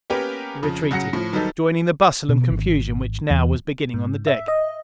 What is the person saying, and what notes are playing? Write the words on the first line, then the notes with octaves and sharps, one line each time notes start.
He retreated, joining the bustle and confusion which now was beginning on the deck.
A#3 B3 C#4 G4 A#4 B4
F2 C#3
C#3 F#3 F#5 A#6 C#7
A2 F3
D#3 F#3 G3 B3 D#4 A4
B2
G#1
E2
G#2
E5
D#5